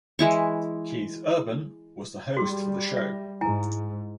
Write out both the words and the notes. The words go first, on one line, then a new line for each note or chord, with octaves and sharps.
Keith Urban was the host for the show.
E3 G#3 E4 C#6
G3 F#4 G#4 C6
E5
G#2 E4 G#5 A#5